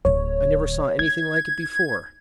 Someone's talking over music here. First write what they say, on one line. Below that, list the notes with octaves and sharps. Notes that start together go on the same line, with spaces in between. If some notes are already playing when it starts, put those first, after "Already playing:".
I never saw anything like it before.
D1 D3 C#5
D#4 G#6